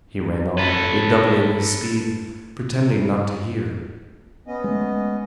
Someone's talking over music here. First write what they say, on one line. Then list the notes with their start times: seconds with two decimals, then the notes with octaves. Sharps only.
He ran on, redoubling his speed, pretending not to hear.
0.58 A4 B4
4.47 B3 C#4 D#5
4.64 G#3 A3